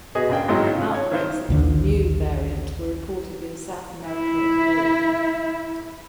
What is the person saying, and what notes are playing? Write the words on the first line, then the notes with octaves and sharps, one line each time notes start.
Outbreaks of the Mu variant were reported in South America and Europe.
B3 F#4 G#4 D#5
A#1 C#3 G5
G#1 D#3 F#3 G#3 E4 D#5
C#3 F4
C#5
D#3 F4 C5
A#1 D#2 D3
E4 E5